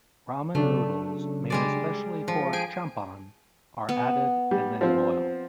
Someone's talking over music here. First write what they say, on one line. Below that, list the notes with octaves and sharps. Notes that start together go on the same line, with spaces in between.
Ramen noodles made especially for "champon" are added and then boiled.
C#3 F#3 A3 D4
G3 G#3 D5
F3
G#4 G5 G#5 D7
B3
G3
F3 C4